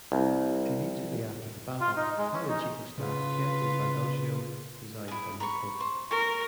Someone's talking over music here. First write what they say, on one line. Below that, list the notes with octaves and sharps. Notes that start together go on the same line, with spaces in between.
Immediately after the battle, Italian Chief of Staff, Pietro Badoglio, resigned from his post.
C2
F4
D#4
G#3
C#4
D#4
C#3 F4 B4
E4 G#4
A#5 B5 C#6
C5
A#4 C#5